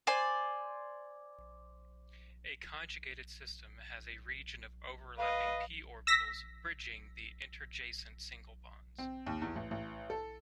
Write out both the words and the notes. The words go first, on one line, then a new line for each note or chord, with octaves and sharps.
A conjugated system has a region of overlapping p-orbitals, bridging the interjacent single bonds.
C5 D5 G#5
B4 D#5 F5
E6 A#6 B6
C4
D#2
E2
A1
A1
A4